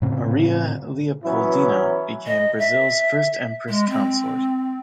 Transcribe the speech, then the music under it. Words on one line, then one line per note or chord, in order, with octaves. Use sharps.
Maria Leopoldina became Brazil's first empress consort.
A2 C#3 C4
E3 F#3 B3 C#4 E4
D#5
E5
G#3
C4